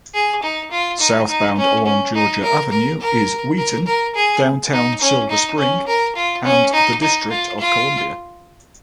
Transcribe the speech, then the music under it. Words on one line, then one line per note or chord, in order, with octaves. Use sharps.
Southbound along Georgia Avenue is Wheaton, downtown Silver Spring, and the District of Columbia.
G#4
D#4
F4
D#4
D#4
C#4
C#4
D#4
A#4
A#4
A#4
A#4
A#4
G#4
D#4
C#4
D#4
C#4
A#4
F4
C#4
D#4
D#4
F4
F4